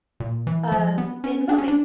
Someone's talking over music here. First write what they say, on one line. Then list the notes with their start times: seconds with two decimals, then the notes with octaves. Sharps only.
um, in voting.
0.20 A#2
0.47 E3
0.72 F3
0.98 B3
1.24 C#4
1.49 D4
1.58 C#4
1.68 D4